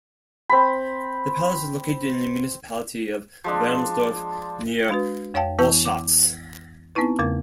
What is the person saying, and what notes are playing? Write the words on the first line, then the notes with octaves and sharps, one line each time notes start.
The palace is located in the municipality of Wermsdorf near Oschatz.
C4 B5
F3 G#3 D4
G#3 D4 F#4 B4
F2 C#5 F5 G5 A5
E3 B3 E4 A5 E6 G6
D6
B3 C4 D#4 E4 B4
E2 C#3 A3 A#4 G#6